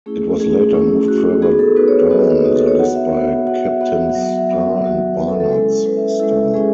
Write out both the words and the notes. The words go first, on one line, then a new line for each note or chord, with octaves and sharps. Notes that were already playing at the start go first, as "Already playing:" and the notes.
It was later moved further down the list by Kapteyn's Star and Barnard's Star.
A3 C#4 E4 G#4
A3 C#4 E4 G#4
A3 C#4 E4
A3 C#4 E4 F#4
B3 D#4 F#4 G#4
A4
B3 D#4 F#4 B4
C#5
B4
B3 D#4 F#4 D#5
B3 D#4 F#4
A4
C#5
B3 F#4 F#5
E5
B3 F#4
B3 F#4 F#5
E5
B3 F#4 F#5
F#5
F#3 B3 F#4 E5
F#5
E5
F#3 B3 F#4
F#3 B3 F#4
F#3 B3 F#4 B4
A4
A4
G#3 C#4 E4 A4
G#3 C#4 E4 B4
E5
E5
G#3 C#4 E4 A4
G#3 C#4 E4 G#4